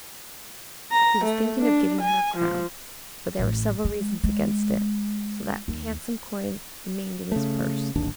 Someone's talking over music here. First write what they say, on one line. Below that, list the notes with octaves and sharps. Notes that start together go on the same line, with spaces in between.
He was thinking of giving her a crown, but there were several reasons against it, so that handsome coin remained in his purse.
A#5
A3
D4
G#5
F3
A1
G#3
G#3
D#2
C#3 A3
D1 G#1 D#2 D4